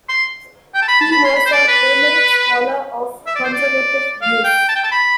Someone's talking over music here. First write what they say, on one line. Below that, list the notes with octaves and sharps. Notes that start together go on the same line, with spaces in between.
He was a Homeric scholar of conservative views.
C6
G5
A5
B5
A5
B5
C6
B5
C5
D5
B4
E5
D5
C5
D5
F5
G5
A5
G5
A5
B5